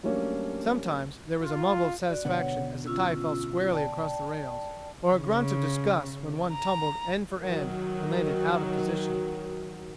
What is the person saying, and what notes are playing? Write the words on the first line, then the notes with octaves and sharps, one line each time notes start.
Sometimes there was a mumble of satisfaction as a tie fell squarely across the rails; or a grunt of disgust when one tumbled end for end and landed out of position.
F#3 G3 A3 A#3 C#4 D4
F4
F#4 D5
B2 D3 B3 C#5 F#5
C#4 F4 E6
D5 G5 A5
C#3
A#5
D#3 F#3